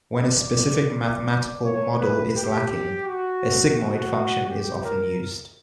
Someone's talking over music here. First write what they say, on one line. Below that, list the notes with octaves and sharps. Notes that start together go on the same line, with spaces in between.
When a specific mathematical model is lacking, a sigmoid function is often used.
D5
C#5
B4
G4
F#4
F#4
G4
A#4